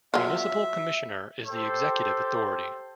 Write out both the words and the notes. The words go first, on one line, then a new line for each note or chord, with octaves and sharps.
Municipal Commissioner is the executive authority.
F#3 F4 E5
G4 A4 C5